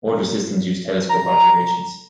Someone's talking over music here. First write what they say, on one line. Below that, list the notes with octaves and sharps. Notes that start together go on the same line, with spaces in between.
Older systems use telescope observations.
A#5